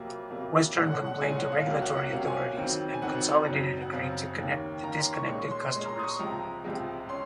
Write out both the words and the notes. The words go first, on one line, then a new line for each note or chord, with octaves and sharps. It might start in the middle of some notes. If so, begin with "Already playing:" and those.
Western complained to regulatory authorities, and Consolidated agreed to connect the disconnected customers.
Already playing: F2 C3 F#3 A#3
F2 C3 F#3 A#3
C2 A#2 G#3 C#4 F#5
F#5
F#5
C2 A#2 G#3 C#4 G#5
F#5
F5
C#2 C3 F#3 A#3 C#4 F5
F#5
F#5
C#2 C3 F#3 A#3 C#4 F5
G#5
F2 D#3 F#3 C4
G#5
F2 D#3 F#3 C4 F#5
F#2 C#3 F#3 C4
F#5
F#2 C#3 F#3 C4 F5
D#2 D#3 A#3 C#4
D#2 D#3 A#3 C#4 A#5
C6
C#6
A#2 G#3 C#4 C#6
C6
A#2 G#3 C#4 C6
A#5
C6
D#6
C#6
C#2 C3 F3 G#3 A#5
C#2 C3 F3 G#3
C#4 C6